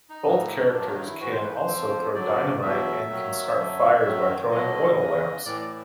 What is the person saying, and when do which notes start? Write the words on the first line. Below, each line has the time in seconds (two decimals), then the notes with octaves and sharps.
Both characters can also throw dynamite and can start fires by throwing oil lamps.
0.09 D#4
0.25 A2 E3
0.72 G2 D#3 F#3 D4
0.88 D#4
1.04 E4
1.20 G#2 E3 F#4
1.31 C5
1.44 B4
1.55 C5
1.67 F2 D3 F3
2.14 F#2 D3 F#3 D5
2.61 E2 B2 F#3 E5
3.09 D#2 D#3 F#3
3.56 F#2 D3 F#3
4.03 F#2 D#3 F#3
4.51 D2 D3 F#3 D#5
4.98 E2 C#3 E3
5.45 A2 E3 D5
5.61 D5